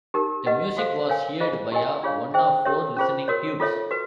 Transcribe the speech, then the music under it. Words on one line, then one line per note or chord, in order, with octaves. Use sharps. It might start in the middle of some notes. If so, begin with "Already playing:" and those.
The music was heard via one of four listening tubes.
D#4 G4 A#4
G4 B4 D#5 F#5
F#4 A4 C5 F5
A#4 C#5 F5 G#5
F4 G#4 C5 D#5
E4 G4 A#4 D#5 G#5
D4 F4 G#4 C#5 F5
G#4 C5 E5 G5
G4 A#4 C#5 E5
C#4 F4 G#4 C5
F#4 A#4 C#5
F4 A4 C#5 E5
F#4 B4